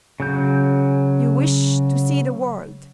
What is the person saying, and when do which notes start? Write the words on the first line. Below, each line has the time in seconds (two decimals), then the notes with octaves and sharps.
'You wish to see the world.
0.20 C#3 F#3 G6